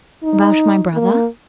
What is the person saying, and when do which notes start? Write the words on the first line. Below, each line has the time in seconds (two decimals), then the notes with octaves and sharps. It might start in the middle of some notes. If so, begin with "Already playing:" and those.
"About my brother?"
0.23 D#4
0.94 A#3